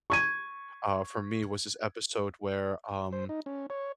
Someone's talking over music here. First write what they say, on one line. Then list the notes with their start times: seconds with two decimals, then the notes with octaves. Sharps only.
uh, for me was this episode where, um,
0.10 C#6 G#6 D#7
3.13 C5
3.29 D#4
3.46 C#4
3.70 C#5